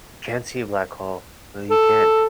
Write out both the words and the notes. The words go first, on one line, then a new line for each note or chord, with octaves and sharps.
Can't see a black hole. No, you can't.
A4